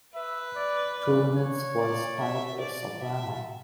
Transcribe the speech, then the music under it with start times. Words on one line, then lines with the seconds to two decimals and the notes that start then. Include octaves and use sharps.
Turunen's voice type is soprano.
0.14 B4 E5
0.56 D5
0.96 D5
1.37 C#5
1.79 D5
2.20 E5
2.61 D5
3.02 E5